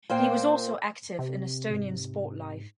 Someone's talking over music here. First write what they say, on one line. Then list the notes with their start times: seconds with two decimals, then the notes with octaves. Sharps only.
He was also active in Estonian sport life.
0.10 A#2 A#3 C5 G5
1.19 C3
1.70 G#2